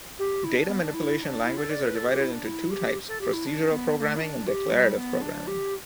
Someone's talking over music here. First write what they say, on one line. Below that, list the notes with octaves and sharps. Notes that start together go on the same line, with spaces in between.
Data manipulation languages are divided into two types, procedural programming and declarative programming.
G4
E4
D4
B3
D4
E4
E4
D4
E4
A4
D5
B4
A4
G4
E4
D4
E4
G4
A4
G4
E4
D4
B3
B3
A3
E4
D4
G4
G3
B3
D4
G4